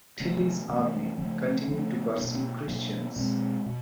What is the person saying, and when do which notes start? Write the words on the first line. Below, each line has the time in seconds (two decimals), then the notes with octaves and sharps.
Tilly's army continued to pursue Christian's.
0.20 C3 E3 A3 C#4
0.69 C3 E3 A3 C#4
1.18 C#3 F3 A3
1.68 C#3 F3 A3
2.17 B2 F#3 A#3 D4
2.67 B2 F#3 A#3 D4
3.16 B2 G#3 C4
3.66 B2